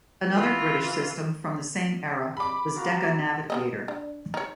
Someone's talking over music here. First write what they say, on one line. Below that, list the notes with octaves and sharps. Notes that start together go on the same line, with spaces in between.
Another British system from the same era was Decca Navigator.
E3 F4
B5 D6
F#3 F4 F#4
B3 C4 D#5
D4
D#4 C#5